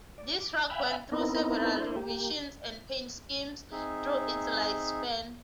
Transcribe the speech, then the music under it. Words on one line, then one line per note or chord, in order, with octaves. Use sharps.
This truck went through several revisions and paint schemes through its lifespan.
D5
D6
E5 F5 G5 G#5 B5 F#6
B3 C4 D#4 E4 A#4
D4 E4 C5
A#3 G4
C4 D#4 G#4 E5